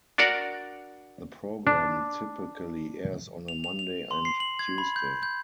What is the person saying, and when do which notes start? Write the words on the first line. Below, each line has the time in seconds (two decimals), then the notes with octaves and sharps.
The program typically airs on a Monday and Tuesday.
0.18 D4 F#4 A#4 D5 F#5
1.67 D4
3.48 F7
3.64 F7
3.79 F7
4.11 C6
4.25 C7
4.40 F#7
4.59 G#6
4.78 B5
4.96 G6
5.23 G6